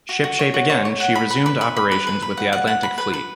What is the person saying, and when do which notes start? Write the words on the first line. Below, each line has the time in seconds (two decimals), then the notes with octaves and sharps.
Shipshape again, she resumed operations with the Atlantic Fleet.
0.09 F#4
0.24 F#4
0.39 C#5
0.54 F#4
0.70 C#5
0.85 C#5
1.00 F#5
1.15 B5
1.30 B4
1.46 B4
1.61 B4
1.76 B5
1.91 B4
2.07 B4
2.22 B4
2.37 F#5
2.53 F#5
2.67 F#5
2.83 B5
2.98 B4
3.13 B4